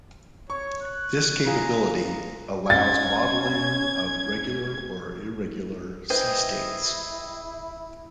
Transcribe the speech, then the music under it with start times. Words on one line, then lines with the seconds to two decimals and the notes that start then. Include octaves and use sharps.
This capability allows modeling of regular or irregular sea states.
0.50 C#5 C#6
0.82 F#6
1.46 E4 F4 G#4 A#5
2.70 C#4 G#6 A6
6.10 C#4 E4 G#4 B4 C5 D#5 G5